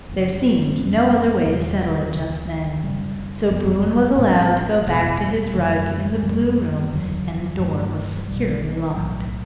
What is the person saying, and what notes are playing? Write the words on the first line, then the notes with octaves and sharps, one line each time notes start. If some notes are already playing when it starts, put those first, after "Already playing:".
There seemed no other way to settle it just then, so Bruin was allowed to go back to his rug in the blue room, and the door was securely locked.
F#1 F#2 C#3
F#2 E3 A3 C#4
E1 E2 C#3 G3
D2 C#3 E3
F#1 F#2 C#3 G3
G1 F#2 E3 B3
A1 A2 G3 D4
F#1 E2 B2
F#2 D3 F#3 A3
F#2 E3 G3 B3
F#1 E2 D3 F#3
G2 F#3 A3
B1 B2 G3
B1 A2 F#3